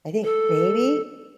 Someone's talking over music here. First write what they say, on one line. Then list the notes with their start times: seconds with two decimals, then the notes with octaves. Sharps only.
I think, maybe?
0.24 A4